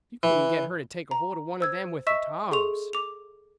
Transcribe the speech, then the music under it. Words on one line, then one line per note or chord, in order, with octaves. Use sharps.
You couldn't get her to take a-holt of one of them with the tongs.
E3
A#5
C5 E6 G#6
D#5 E5 C#6 E6 B6 E7
G#4 A4 C6 C#6 F7
D6 F7